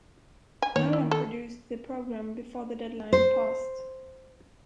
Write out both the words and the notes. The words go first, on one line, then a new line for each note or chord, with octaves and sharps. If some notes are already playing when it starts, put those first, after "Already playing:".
No one produced the program before the deadline passed.
G#5
D#3 C#5
E4
A4
C5